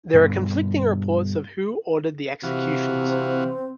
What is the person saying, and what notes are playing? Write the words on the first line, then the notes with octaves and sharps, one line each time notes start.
There are conflicting reports of who ordered the executions.
G2 B2 D3
C3 E3 F#4 F5
C4